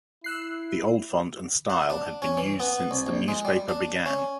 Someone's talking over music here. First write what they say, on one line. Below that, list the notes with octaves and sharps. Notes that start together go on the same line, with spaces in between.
The old font and style had been used since the newspaper began.
E4 E6 F#6 C7
F#5
D4
C#4
E3
B3
C2
A#1
G#3
G3
D4
C#4